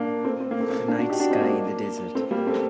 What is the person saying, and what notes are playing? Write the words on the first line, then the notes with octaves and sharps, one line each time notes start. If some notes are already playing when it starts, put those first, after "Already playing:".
The night sky in the desert.
Already playing: A#3 D4
A3 C4
C4
A#3
A3 C4
A#3 D4
D4 F#4
D#4 G4
D4 F#4
C4 D#4
A#3 D4
A3 C4
G3 A#3
A3 C4